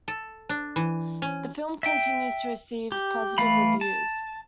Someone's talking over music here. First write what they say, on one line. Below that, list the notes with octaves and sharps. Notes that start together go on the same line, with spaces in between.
The film continues to receive positive reviews.
A4
D4
E3
C#4
E5 G5
G4
E3 A3 F5 B5
A5